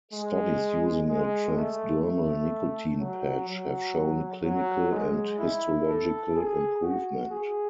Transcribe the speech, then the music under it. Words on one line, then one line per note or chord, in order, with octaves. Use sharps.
Studies using a transdermal nicotine patch have shown clinical and histological improvement.
G#3
G#3
A3
A3
F#3
F#3
F#3
G#3
E4
A4
G#4
F#4
G#4